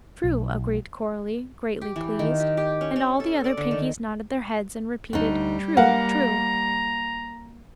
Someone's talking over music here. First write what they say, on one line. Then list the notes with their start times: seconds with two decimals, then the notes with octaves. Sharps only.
"True," agreed Coralie, greatly pleased, and all the other Pinkies nodded their heads and repeated: "True--true!"
0.24 B1
1.81 G4
1.96 E3
2.19 D#3
2.40 G4
2.57 G4
2.81 C#4
2.96 C#4
3.20 A4
3.44 D5
3.57 D3
3.71 D#3
5.13 D2 G3 D#4
5.77 A#3 F5 F#5 A#5